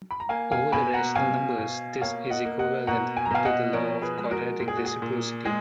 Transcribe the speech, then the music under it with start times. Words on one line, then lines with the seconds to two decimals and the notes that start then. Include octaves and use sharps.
Over the rational numbers this is equivalent to the law of quadratic reciprocity.
0.11 B5
0.20 A#5
0.29 A#3 F5 G#5
0.51 F5 G#5
0.72 B2 G#5 B5
0.94 F#5 A#5
1.15 B2 F5 G#5
1.58 B2
2.01 A#3 C#5 F5
2.30 D#5 F#5
2.45 A#3
2.59 D#5 F#5
2.87 B2 F#5 A#5
3.17 G#5
3.25 A#5
3.31 B2 F5 G#5
3.45 D#5 F#5
3.73 F3 A#4 C#5
4.02 G#4 B4
4.17 G#3
4.31 F#4 A#4
4.59 A#2 A#4
4.68 G#4
4.77 F#4
4.86 G#4
5.02 A#2
5.45 G#3 G#4